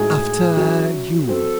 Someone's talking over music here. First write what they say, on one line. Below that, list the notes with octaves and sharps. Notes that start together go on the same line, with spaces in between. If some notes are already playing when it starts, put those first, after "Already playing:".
"After you!"
Already playing: A2 G#3 D#4 F#4 G#4
F#3 C#4 E4
F#3 C4 F#4 A4